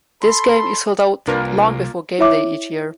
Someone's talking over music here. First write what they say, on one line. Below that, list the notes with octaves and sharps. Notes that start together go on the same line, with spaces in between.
This game is sold out long before gameday each year.
A4 B5 C6
C2 A#3 D4 F4 A#4 B4
E4 C#5 E5 D6